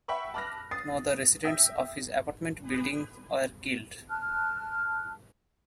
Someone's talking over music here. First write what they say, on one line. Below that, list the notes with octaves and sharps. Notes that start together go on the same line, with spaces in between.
No other residents of his apartment building were killed.
E5 F#5 G5 B5 C#6 E6
A5 B5 D6 F6 F#6 A#6
D#6 A6 C7
E5 G5 D#6 G6 A#6
A5 F6 F#6